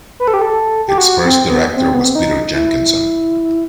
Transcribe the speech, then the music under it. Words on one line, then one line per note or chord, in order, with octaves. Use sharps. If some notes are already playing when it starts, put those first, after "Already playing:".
Its first Director was Peter Jenkinson.
B4
A4
G4
A4
G4
F#4
C4
B3
C4
B3
C4
D#4
E4